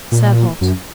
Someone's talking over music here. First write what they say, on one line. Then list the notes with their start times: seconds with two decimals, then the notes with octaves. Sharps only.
Serve hot.
0.12 A#2
0.61 F#2